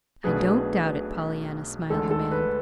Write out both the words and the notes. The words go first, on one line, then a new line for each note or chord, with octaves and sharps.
"I don't doubt it, Pollyanna," smiled the man.
B1 B2 A3 D4 G#4 B4
D2 D3 G#3 A4
A4
B4